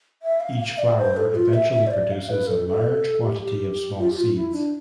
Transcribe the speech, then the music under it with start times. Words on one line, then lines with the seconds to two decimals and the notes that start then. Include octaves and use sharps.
Each flower eventually produces a large quantity of small seeds.
0.22 E5
0.40 F5
0.60 F5
0.78 D5
0.98 C5
1.17 A4
1.35 F4
1.54 E5
1.72 E5
1.87 C5
1.91 D5
2.11 F5
2.29 B4
2.47 A4
2.67 A4
3.23 G4
3.41 G4
3.99 F4
4.10 G4
4.17 F4
4.35 E4
4.54 D4